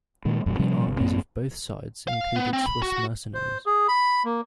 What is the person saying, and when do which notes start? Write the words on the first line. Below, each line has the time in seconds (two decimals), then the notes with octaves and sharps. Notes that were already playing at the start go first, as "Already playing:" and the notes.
The armies of both sides included Swiss mercenaries.
0.25 A#2 D#3 G#3
0.46 E1 F#2 A2
0.59 C3 F3 G3 C#4
0.87 G1
1.00 A1 F#2 A#3 C4
2.08 F5
2.36 B3
2.53 C4
2.66 B5
2.82 F#4
3.34 C5
3.66 G#4
3.88 B5
4.25 A#3